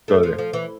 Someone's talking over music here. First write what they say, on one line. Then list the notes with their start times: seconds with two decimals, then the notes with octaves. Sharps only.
Go there.
0.08 A3
0.23 F3
0.38 F3
0.53 E3